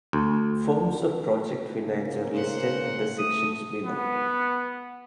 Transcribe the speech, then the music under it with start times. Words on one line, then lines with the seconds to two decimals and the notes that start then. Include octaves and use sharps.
Forms of project finance are listed in the sections below.
0.13 D2
1.85 C#3 A#3
2.32 C5 F#5
3.19 A3 D#6
3.84 B3